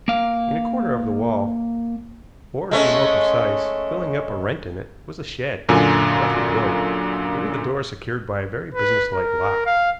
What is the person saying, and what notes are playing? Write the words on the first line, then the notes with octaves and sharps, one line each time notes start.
In a corner of the wall, or, to be more precise, filling up a rent in it, was a shed, roughly built, but with a door secured by a very business-like lock.
A#3 F5
G#3 A3 C#4
F#2 A#2 D3 G#5
B4
A#4
F5